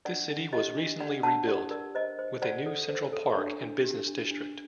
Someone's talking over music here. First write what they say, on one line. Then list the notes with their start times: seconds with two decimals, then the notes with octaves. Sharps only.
This city was recently rebuilt, with a new central park and business district.
0.05 D4 D5 F#5
0.30 D4
0.53 G4 D#5
0.77 D4
1.00 D4 D5 F#5
1.23 D4 F#5 A5
1.47 G4 D5
1.71 A#4 D5
1.95 C5 D#5
2.19 C5
2.42 C5 D5 F#5
2.66 A4
2.89 C5
3.13 A4
3.37 D4
3.61 D4
3.84 G4
4.07 D4
4.31 D4